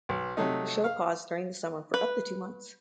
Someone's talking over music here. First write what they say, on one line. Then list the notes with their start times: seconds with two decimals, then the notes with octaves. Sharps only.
The show paused during the summer for up to two months.
0.09 B1
0.37 C3 F#3 A3 D#4
0.84 F5
1.94 B4